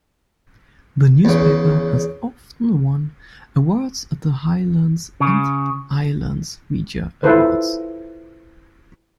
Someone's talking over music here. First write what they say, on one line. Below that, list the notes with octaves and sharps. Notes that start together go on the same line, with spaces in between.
The newspaper has often won awards at the Highlands and Islands Media Awards.
E2 C#3
C#3
E4 F4 A4 B4 C5